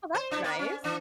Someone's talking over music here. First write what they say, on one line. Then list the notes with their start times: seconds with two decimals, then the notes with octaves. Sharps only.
Oh, that's nice.
0.15 C5
0.31 D4 E4
0.44 A#3 C4
0.59 C#4
0.84 E3 D4